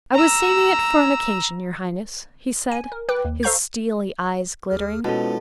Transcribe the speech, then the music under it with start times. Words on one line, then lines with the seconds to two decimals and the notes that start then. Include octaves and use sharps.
"I was saving it for an occasion, your highness," he said, his steely eyes glittering.
0.14 A#5 E6
2.71 G#5
2.92 A#4
3.09 B4 G5 D6 F#6
3.25 D#2
3.43 A4 C5 F5 A#5 C#6 G6
4.70 D#2 G#4 F6
5.04 B2 G#3 B3 C#4 E4 F4 A4 A5